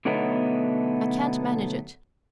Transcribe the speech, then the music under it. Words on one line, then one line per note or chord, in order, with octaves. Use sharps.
I can't manage it.
B2 D3 F#3 A3 B3 D#4